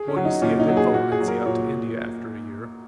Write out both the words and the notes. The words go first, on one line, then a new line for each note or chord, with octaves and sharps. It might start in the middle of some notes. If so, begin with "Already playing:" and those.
Well, you see, I did follow Nancy out to India after a year....
Already playing: G#4
C#4
F#3
D#4
A#2 C#4
D#4
F#3
G#4
A#2 F#4
G#4
F#3
A#4
A#2 C#5